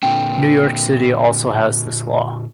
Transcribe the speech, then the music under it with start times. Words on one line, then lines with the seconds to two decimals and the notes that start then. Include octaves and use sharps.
New York City also has this law.
0.03 A#2 D3 C4 G5